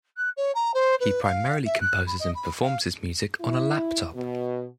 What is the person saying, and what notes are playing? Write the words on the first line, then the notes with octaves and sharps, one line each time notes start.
He primarily composes and performs his music on a laptop.
F#6
C#5
A#5
C5
B4
F5
E5
F#6
B5
D#5
B5
F5
E4
B2